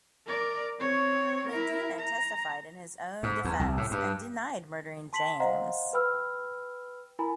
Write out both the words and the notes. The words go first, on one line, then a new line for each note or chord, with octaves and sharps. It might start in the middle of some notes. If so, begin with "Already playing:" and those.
Medina testified in his own defense and denied murdering James.
A#4 D5
C4 C#5
E4 A#4
A#5
G#2
E2
C2
A2
G2
A5 C6 B6 C7 F#7
C5 D#5 F5 F#5 A#5 C6
B4 G5 B5 E6 F6
E4 A#4 G#5 A#5 B5